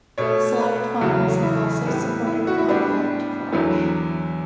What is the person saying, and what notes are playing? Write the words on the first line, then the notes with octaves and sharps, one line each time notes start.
Select models have also supported CompactFlash.
B2 A3 C#5
B4
E2 C#3 F#3 F#4
E4
A2 G3 B3
E4
F#4
E4
A2 G3 B3 D4
E2 D3 F#3 B3 E4